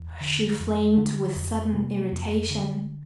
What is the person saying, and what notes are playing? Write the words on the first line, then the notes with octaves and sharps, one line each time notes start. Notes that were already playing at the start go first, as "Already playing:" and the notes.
She flamed with sudden irritation.
Already playing: E2
D3
F2
D3 D4
F2
C3 A#3
F2
D3